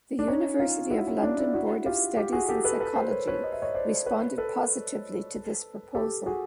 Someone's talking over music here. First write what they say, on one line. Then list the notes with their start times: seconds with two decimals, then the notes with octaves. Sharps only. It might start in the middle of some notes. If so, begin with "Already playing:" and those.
The University of London Board of Studies in Psychology responded positively to this proposal.
0.19 D4
0.28 C#4 D#4
0.59 D#4 F4
0.91 E4 F#4
1.07 C#4
1.23 D4
1.38 D4 E4
1.54 E4 F#4
1.86 F4 G4
2.17 F4 G4
2.33 F#4 G#4
2.48 G4 A4
2.64 A4 B4
2.80 A4 B4
2.96 A#4 C5
3.11 B4 C#5
3.27 B4 C#5
3.44 D#5
3.52 E5
3.62 C#5 D#5
3.74 C5 D5
4.06 B4 C#5
4.38 A4 B4
5.95 G4 A4
6.26 F#4 G#4